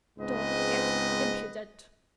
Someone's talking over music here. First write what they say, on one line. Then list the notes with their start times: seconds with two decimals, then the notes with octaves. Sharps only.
"Don't get impudent."
0.19 C#2 G#2 B3 C4 B4 D#5